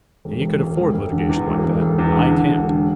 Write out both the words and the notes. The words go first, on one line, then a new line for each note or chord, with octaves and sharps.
He could afford litigation like that; I can't.
E1
E1
E1
E1
E1
D3
E2
E1
E1
E1
E2
D3
D3
E1
D3